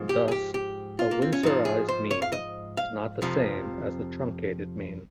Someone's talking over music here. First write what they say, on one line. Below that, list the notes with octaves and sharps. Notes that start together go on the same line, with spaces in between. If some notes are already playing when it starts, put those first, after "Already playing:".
Thus a winsorized mean is not the same as a truncated mean.
Already playing: G#2 F3
G4
G#4
G4
G4
F4
A#3
C4
C#4
G#2 F3 D#4
G#4
C5
C#5
F5
D#5
F5
F2 C3 F3